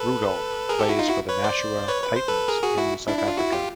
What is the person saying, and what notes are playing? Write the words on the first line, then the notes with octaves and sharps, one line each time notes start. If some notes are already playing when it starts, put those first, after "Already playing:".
Rudolph plays for the Nashua Titans in South Africa.
Already playing: A4 B4
G#4 A#4
G4 A4
E4 F#4
D#4 F4
E4 F#4
B4 C#5
C5 D5
B4 C#5
B4
C5
A4 B4
G#4 A#4
F#4 G#4
E4 F#4
D4 E4
E4
F4
E4 F#4
F4 G4